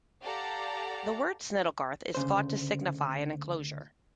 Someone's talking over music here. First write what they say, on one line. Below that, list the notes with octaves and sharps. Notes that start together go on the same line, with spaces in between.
The word "Snittlegarth" is thought to signify an enclosure.
G4 A4 D5 F5 F#5 A#5
D2 C#3 C5